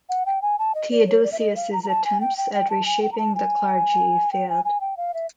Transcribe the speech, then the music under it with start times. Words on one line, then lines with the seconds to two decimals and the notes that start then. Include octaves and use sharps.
Theodosius's attempts at reshaping the clergy failed.
0.09 F#5
0.26 G5
0.42 G#5
0.59 A5
0.75 D#5
0.91 D5
1.07 C#5
1.24 D5
1.32 E5
1.39 D#5
1.56 F5
1.72 A#5
1.83 A#5
1.89 A5
2.05 G#5
2.21 G5
2.38 G5
2.54 G5
2.70 A5
2.86 G#5
3.02 G5
3.12 A#5
3.18 A5
3.35 G#5
4.32 G5
4.49 G#5
4.65 G#5
4.81 G5
4.97 F5
5.14 E5